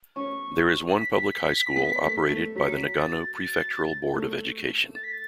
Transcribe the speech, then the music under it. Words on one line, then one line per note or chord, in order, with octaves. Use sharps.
There is one public high school operated by the Nagano Prefectural Board of Education.
C#4 C#6
B6
B3
A3
A3
F#3 B6
C#7
B6
A6
A6
A3
A6
B6
A6